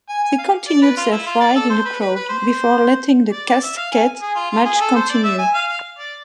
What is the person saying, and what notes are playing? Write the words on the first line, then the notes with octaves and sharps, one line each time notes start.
They continued their fight in the crowd, before letting the casket match continue.
G#5
G#5
F5
D5
B4
F4
E4
F4
D5
A4
C5
B4
B4
B4
C5
D5
D5
E5
F5
G#5
G#4
F4
F4
G#4
A4
C5
D5
E5
G#5
F5
F5
D5